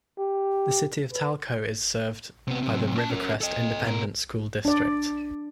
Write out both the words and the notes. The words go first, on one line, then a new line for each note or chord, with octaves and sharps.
The City of Talco is served by the Rivercrest Independent School District.
G4
B4
C3 B3
F#2 C3
C#4 A5
C#4 A#4
A4 D#5
B2 A#4
D4 D5